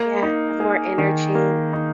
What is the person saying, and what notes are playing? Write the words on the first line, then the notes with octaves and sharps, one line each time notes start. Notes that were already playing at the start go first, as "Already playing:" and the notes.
Yeah, have more energy.
Already playing: A#3
D#4
G#4
D#3
A#3
D#4